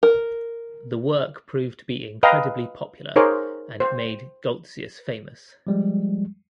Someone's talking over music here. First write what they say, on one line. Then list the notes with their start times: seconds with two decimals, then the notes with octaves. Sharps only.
The work proved to be incredibly popular and it made Goltzius famous.
0.03 A#4
2.23 B4 D#5 F5 G5 A#5
3.16 D#4 G#4 A#4 C5 C#5 D6
3.80 C5
5.67 F3 G3 G#3